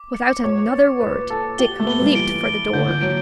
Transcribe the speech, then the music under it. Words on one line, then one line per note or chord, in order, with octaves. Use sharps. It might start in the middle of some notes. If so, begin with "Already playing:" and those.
Without another word Dick leaped for the door.
Already playing: D6
C#7
C#5 D6
A6
B4 D6
A4 A6
G4 G7
A3
B3 G7
G3
E3 D7
D7
D3 G6
E3
F#3 D7